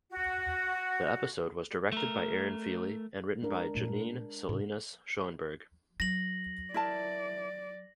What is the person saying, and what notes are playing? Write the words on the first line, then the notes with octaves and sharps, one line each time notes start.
The episode was directed by Erin Feeley and written by Janine Salinas Schoenberg.
F#4
A3 A#4
G#3 D4 A#4
A#2 A3
G#2 C3
F#3 A#6 F#7
E4 A#4 D5 A5